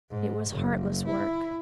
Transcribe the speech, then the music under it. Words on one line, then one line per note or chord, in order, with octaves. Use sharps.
It was heartless work.
G#2
F#1
E4